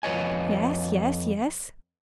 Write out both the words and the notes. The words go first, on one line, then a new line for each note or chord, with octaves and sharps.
"Yes, yes, yes!"
F2 B4 C#5 D#5 G#5